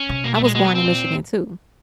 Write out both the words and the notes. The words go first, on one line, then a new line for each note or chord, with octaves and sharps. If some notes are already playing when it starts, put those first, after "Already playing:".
I was born in Michigan too.
Already playing: C#4
C3
B2 A#3
A3
A#2 G#3
B2 G#3
B3
C4
A#2